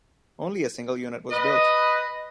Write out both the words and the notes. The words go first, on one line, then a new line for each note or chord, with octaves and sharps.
Only a single unit was built.
B4 D#5